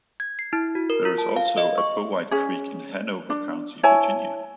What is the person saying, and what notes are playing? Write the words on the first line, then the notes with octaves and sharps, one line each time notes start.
There is also a Powhite Creek in Hanover County, Virginia.
G#6
C7
E4
F#4
A#4
F4
A5
F5
D#5
C#6
C#4 G#4
D4
E4 C#5 G#5 A5